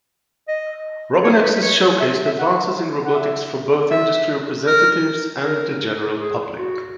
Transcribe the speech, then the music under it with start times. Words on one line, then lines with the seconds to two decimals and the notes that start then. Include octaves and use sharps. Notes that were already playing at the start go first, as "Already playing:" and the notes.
RoboNexus showcased advances in robotics for both industry representatives and the general public.
0.48 D#5
1.24 C#5
1.43 B4
1.56 B4
1.62 C#5
2.00 E5
2.25 E5
2.39 F#5
3.05 F#5
3.15 E5
3.91 E5
4.67 A#4
5.44 A#4
6.20 G#4
6.58 F#4